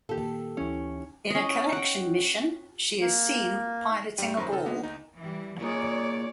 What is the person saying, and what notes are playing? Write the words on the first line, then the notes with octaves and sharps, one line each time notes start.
In a collection mission she is seen piloting a ball.
A#2 D#3 A#3 G4 A4
D2 E3 C#4 E4
C#4 D#5
F#5 G5
A#3
G#2 G3 G5 D#7
F#2 D#3 C5 A#5 B5 A#6
C#3 A4
G#3 A#3 B3 G4
D2 D#4
E3 G3
A#2 D#4 G#4 C#5 D5